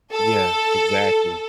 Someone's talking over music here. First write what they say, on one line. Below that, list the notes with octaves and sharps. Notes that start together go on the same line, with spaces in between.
Yeah. Exactly.
A4